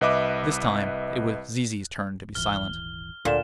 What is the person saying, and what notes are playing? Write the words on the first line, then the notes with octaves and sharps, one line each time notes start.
This time it was Zizi's turn to be silent.
C2 B4 D#5 E5 D6 F#6
D#1 G#1 E3 F6 G7
D2 A#2 D3 C6 E7